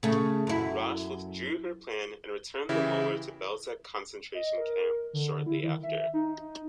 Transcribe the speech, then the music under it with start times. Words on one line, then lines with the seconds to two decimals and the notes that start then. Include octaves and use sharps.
Rosh withdrew her plan and returned the molar to Belzec concentration camp shortly after.
0.03 C#3 A3
0.47 F#2 E4
2.69 C#3 E3 E4 G4
4.35 D#5
4.58 A#4
5.13 D3
5.46 E4
5.63 D#3
5.83 E5
6.14 D#4